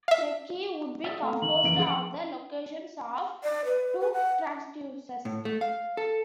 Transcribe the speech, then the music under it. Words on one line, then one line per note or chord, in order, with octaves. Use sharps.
The key would be composed of the locations of two transducers.
E5 F5
G#4 D5 E5
A3 F5 A#5
D#3 F#7
F#1 E3 D7
F3 G#4 F#5
D5
B4
B4
F#5
A2
A3
F5
A4